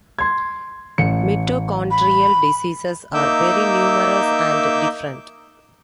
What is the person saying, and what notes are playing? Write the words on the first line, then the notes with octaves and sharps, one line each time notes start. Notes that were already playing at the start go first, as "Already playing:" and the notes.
Mitochondrial diseases are very numerous and different.
C6 G#6
A1 C#7
B5
A#3 D#4 E5 D6 E6 G6